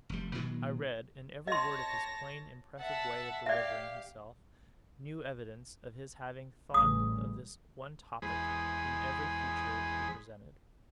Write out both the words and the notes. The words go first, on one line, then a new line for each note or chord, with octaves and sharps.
I read, in every word of his plain impressive way of delivering himself, new evidence of his having thought of this one topic, in every feature it presented.
F1 G3
A#2 D#3 F#3 G#3
C#5 D#5 A5 C6 A#6
E5 F#5 A5
G4 D5 E5 F5
A1 C#3 G3 D#6
E2 G#3 G#4 C5 B5 D#6